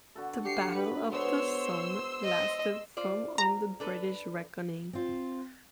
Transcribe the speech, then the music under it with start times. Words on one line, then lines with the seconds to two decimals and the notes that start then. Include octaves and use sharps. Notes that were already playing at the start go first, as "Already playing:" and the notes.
The Battle of the Somme lasted from on the British reckoning.
0.15 D3 F#4 A4
0.45 D4 G4 C7 C#7
0.76 B4
1.13 G#3 B3 D4 C5 C#5 C6 E6
2.24 D#5
2.97 F4 C5 D5
3.38 A#5
3.80 D4 A4 B4
4.93 C4 F4